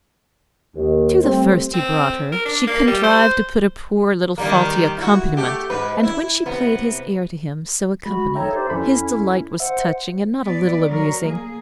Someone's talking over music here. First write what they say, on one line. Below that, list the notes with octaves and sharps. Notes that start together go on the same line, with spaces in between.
To the first he brought her she contrived to put a poor little faulty accompaniment; and when she played his air to him so accompanied, his delight was touching, and not a little amusing.
D#2
G3 A3 C4
C4
A#4
D4
A#3
G3
C5
D#3 G3 A#3
E4 F#4
A3 G4
G#2 B4
E4
C3 B3
G#3 F#4 B5
D#4 A4 C#5 E5 G5 A#5
G4 C5 D5
F2 C#4 E4 A4 B5
C5 E5 F#5
B3 D5
F#3 A#4
A#3 G#4